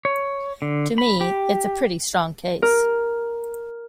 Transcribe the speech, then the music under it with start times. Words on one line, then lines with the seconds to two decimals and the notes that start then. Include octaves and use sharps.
To me, it's a pretty strong case.
0.05 C#5
0.62 D3
0.98 B5
1.21 G4
2.62 A#4